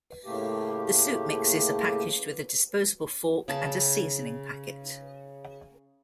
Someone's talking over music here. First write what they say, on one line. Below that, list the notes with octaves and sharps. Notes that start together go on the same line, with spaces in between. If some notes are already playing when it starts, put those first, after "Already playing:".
The soup mixes are packaged with a disposable fork and a seasoning packet.
A2 C#3 A3 A#3 G4
C#3 A5